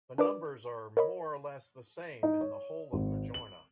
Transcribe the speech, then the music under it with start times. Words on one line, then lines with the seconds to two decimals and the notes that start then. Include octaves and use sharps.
The numbers are more or less the same in the whole of Majorna.
0.18 D4 A#4 B4 D5 D6
0.97 A#4 C#5 D#5 B5
2.23 D#4
2.41 C#5
2.93 G#1
3.34 F#7